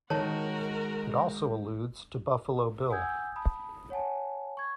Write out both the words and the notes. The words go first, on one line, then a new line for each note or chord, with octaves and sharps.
It also alludes to Buffalo Bill.
D#3 G#3 F#4 A#4 C#5 A5
F#5 G#5 D#6 E6 G6 G#6
A5 B5 D#6
C#5 F#5 G#5 A5
C#6 G#6